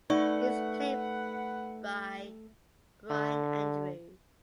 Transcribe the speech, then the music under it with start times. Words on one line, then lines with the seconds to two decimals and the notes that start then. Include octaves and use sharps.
He is played by Brian Andrews.
0.10 A3 D#4 B4 D5 F#5 C#6
3.10 D3